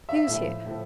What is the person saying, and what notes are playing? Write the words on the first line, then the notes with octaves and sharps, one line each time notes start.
"Who's here?"
E5
A2 F3 E5
A2 F3